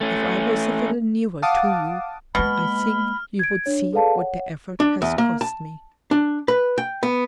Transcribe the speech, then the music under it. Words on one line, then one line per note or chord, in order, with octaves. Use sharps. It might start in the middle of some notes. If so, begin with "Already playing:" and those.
If I was a little nearer to you, I think you would see what the effort has cost me.
A3 C#4
F5 F#5 A5 D6 D#6
B2 G#3 A#3 B5 F6
G#6 D7
D4 C#5
G#4 A4 B4 D5 F5 A5
C#5 F#5
D4
E2
A#3
A5
D4
B4
G5
B3